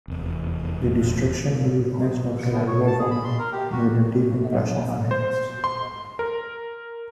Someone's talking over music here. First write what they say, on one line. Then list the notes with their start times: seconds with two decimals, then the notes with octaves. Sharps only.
The destruction he witnessed after World War One made a deep impression on him.
0.08 F1 E2
2.52 B3
2.67 C#5
2.87 A5
2.99 G#4
3.11 B5
3.24 C6
3.39 A#4
3.53 G4
3.72 F#4
5.11 C5
5.64 C6
6.19 A#4